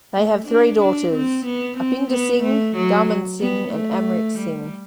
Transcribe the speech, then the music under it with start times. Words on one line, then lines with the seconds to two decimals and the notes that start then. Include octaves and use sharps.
They have three daughters, Upinder Singh, Daman Singh and Amrit Singh.
0.15 A3
0.47 D4
0.80 D4
1.12 C4
1.45 B3
1.77 C4
2.10 B3
2.43 A3
2.76 F#3
3.40 B3
3.73 A3
4.38 G3